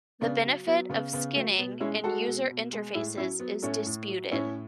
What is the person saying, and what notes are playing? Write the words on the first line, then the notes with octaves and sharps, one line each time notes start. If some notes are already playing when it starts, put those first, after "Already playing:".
The benefit of skinning in user interfaces is disputed.
C#3 B3 D4
F#3
F#3 B3
C#3 B3
C#3 B3
F#3 A3
B2 B3
G#3 C#4 E4
G#3 F#4 A4
B2
B2
G#3
A2 E4 G#4
F#3 C#4 E4
F#3 B3
A2 A3 C#4
A2
F#3
A2 C#4 E4